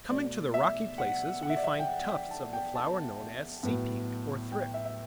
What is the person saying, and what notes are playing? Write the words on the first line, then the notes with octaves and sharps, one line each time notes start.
Coming to the rocky places, we find tufts of the flower known as Sea Pink or Thrift.
B2 A3 D5
E5
F#5
F#5
E5
D5
E5
G5
F#5
G5
A5
G5
A5
A2 F#3 B3
G5
E5
E5